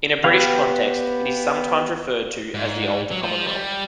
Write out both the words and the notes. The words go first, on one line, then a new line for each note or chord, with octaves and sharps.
In a British context, it is sometimes referred to as the "Old Commonwealth".
B3 G4 B4 F5
G#2
F#3
F3
G3